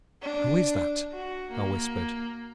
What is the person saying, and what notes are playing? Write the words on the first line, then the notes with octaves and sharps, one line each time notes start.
'Who is that?' I whispered.
D4
F#4
A#3